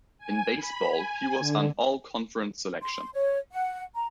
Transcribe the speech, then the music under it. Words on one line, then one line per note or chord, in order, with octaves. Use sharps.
In baseball, he was an All-Conference selection.
G#5
B5
G#5
D3
C6
C#5
F#5
A#5